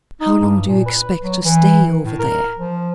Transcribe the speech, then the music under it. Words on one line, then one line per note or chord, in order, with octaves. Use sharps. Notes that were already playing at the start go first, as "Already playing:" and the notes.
"How long do you expect to stay over there?"
D#4
G2
A#2
B4
F#3
E3
A2
A#4
F3